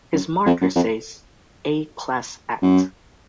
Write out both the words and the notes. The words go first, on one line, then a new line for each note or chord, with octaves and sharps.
His marker says, A Class Act.
F#2
F2
F#2
F2
F#2